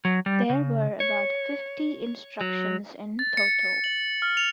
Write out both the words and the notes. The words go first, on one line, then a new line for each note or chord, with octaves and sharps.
There were about fifty instructions in total.
F#3
G3
C#3
C#5
F#3
A6
C#7
F#7
F6
F7